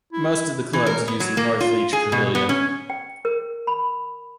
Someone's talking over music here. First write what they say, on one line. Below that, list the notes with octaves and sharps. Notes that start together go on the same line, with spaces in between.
Most of the clubs use the Northleach Pavilion.
E4
E3
A#4
B3
F#3
A#3
F4
G#4
B2
B3
C#4
G5
A#4
B5